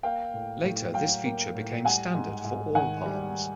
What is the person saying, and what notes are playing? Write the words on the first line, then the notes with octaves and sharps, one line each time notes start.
Later this feature became standard for all Palms.
A#3 F5 G5
A2
A2
F#3 F5 G5
A#3
A2
G3 F#5 G#5
G#2
G#2
D#3 F#5 G#5
G3